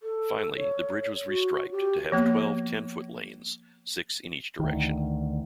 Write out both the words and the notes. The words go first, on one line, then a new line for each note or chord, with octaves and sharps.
Finally, the bridge was restriped to have twelve ten-foot lanes, six in each direction.
A4
C#5
F#4
G4
F3 A#3 B3
D2 D#3